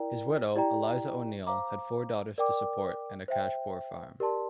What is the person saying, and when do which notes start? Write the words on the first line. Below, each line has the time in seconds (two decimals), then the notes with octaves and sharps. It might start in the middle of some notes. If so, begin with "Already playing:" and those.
His widow, Eliza O'Neal, had four daughters to support and a cash-poor farm.
Already playing: E4 A#4 D5 G5 A#5
0.55 E4 G4 D5 G5 A#5
1.47 C5 F5 A#5 D6
2.38 A#4 D5 G5 D6
3.28 C5 E5 G5
4.20 G4 A#4 D5 A5 C6